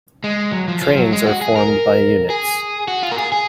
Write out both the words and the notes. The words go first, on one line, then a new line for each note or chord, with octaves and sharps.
Trains are formed by units.
G#3
F#3
F3
F3
F#3
G#3
F#4
G#4
A#4
G#4
F#4
F4
A#4
G#4
G#4